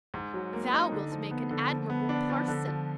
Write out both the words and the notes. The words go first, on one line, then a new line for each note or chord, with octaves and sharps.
Thou wilt make an admirable parson.
G#2
F#3
A#3
D#4
D3
F3
B3
D3
F3
B3
D4
F3
D3
F3